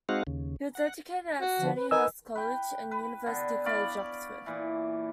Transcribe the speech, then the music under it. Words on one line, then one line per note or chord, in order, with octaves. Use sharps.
He was educated at Stonyhurst College and University College, Oxford.
G#3 C4 D#4 F#4 F5 F#5
D#2 C#3
F#5
F#4
D3 F3
B4
D#4 A#4 B4 D#5 G#5 E6
B4 G5
B4
D3 B3
C#5 D5 F5 B5
A#2 E3